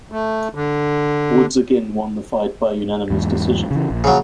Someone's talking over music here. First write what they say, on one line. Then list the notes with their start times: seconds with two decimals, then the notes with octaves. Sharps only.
Woods again won the fight by unanimous decision.
0.12 A3
0.55 D3
3.10 E2 G#2
3.71 C#3 E3
3.90 A#1
4.04 C#3 F#3